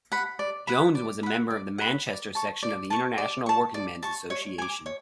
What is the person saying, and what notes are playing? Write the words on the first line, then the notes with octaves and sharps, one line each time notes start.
Jones was a member of the Manchester section of the International Workingmen's Association.
F#5 B5
D5
F#5 B5
D5
F#5 B5
D5
F#5 B5
D5
A5 C#6
D5
A5 C#6
D5
A5 C#6
D5
A5 C#6
C#5
G#5 D6
C#5